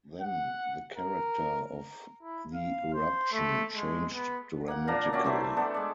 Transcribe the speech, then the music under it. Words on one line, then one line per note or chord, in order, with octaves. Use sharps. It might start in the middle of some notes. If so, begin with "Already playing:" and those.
Then the character of the eruption changed dramatically.
F#5
A#4
E4
F5
C5
A3
G#3
B3
A#3 F#5
A#2 D4 F5 A#5
F#3 C#4 D5 E5
E3 A3 C5 E5
B3 D4 A4
G#3 D5